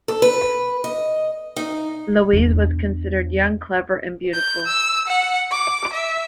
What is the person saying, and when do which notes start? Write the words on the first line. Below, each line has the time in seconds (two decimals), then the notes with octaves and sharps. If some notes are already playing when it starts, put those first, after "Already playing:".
Louise was considered "young, clever, and beautiful".
0.08 A4
0.22 B4
0.84 D#5
1.56 D#4
2.33 E2 D4
4.34 G6
4.67 E6
5.08 F#5
5.51 D6
5.93 E5